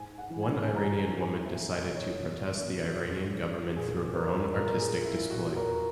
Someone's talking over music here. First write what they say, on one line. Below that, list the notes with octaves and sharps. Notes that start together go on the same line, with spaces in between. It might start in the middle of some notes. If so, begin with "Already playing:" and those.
One Iranian woman decided to protest the Iranian government through her own artistic display.
Already playing: G#2 G#5
F#5
E3
G#5
G#2 G#5
A#5
G#5
A#5
E3
G#5
E2 E5
D#5
B2
C#5
E2
B2
A#2
A#2 G#4
A#4
A#2 A#4
G#4
E4
A#2 F#4
A#4